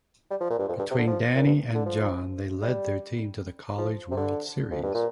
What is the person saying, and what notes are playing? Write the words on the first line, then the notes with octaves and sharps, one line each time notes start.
Between Danny and John they lead their team to the college World Series.
G3
F3
A#2
G2
F2
G2
C3
D3
F3
A#2
G2
D3
F3
G3
F3
C3
D3
F2
G2
A#2